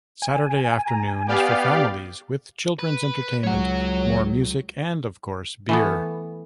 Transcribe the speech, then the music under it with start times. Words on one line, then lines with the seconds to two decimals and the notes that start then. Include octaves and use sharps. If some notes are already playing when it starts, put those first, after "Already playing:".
Saturday afternoon is for families, with children's entertainment, more music, and of course, beer.
0.22 G#5
0.87 A#5
1.28 B3 G4 D5 F5
2.79 B4
3.43 C#2 F#3 C#5 F#5
5.69 E3 A3 B3